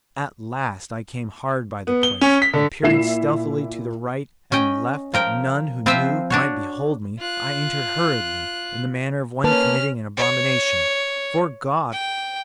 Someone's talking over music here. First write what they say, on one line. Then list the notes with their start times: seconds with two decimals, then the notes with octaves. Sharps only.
At last I came hard by the place, and peering stealthily to the right and left that none who knew might behold me, I entered hurriedly, in the manner of one committing an abomination. 'Fore God!
1.87 B3
2.03 G7
2.21 C#4
2.42 B6
2.54 D3
2.83 A#2 E4 E5 C7 E7
4.52 C#4 D#5 G5
5.14 F3 A#4 G5
5.86 F3 C4 F4 B4 C5 E5
6.30 D4 F#4 C#5
7.19 F4 F#6
9.44 A#3 C#4 B4 A5 F6
10.17 C#5
11.92 G5